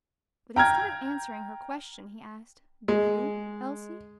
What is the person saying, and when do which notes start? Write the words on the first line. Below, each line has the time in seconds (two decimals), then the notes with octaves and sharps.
But instead of answering her question, he asked, "Do you, Elsie?"
0.56 G5 A#5 F6 G#6
2.88 G#3